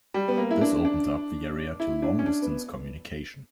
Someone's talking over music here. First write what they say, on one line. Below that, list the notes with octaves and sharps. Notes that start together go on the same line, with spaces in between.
This opened up the area to long-distance communication.
G3
B3
A#3
E4
D4
D4
E4
D4
C#4
D4
B3